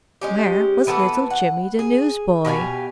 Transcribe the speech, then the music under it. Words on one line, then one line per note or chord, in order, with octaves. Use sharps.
Where was little Jimmy the newsboy?
G#3 C#4 G4
E3 B3 A4 B4
F#5
G#4
B2 G4 F5 G#5